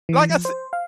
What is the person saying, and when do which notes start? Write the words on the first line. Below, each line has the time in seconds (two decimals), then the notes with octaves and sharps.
like I s
0.09 E3
0.29 F3
0.45 C5
0.73 F5